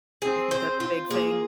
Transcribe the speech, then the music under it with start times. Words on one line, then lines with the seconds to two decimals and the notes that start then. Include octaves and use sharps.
I think that's a big thing.
0.22 C4 G#4
0.51 C5
0.80 F4
1.10 A#3 G#4